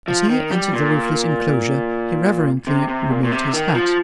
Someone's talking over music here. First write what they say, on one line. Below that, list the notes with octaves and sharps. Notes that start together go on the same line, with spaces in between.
As he entered the roofless inclosure, he reverently removed his hat.
F3
D#3
G3
A#2
C3
C3
A#2
A#2
C3
D#3
F3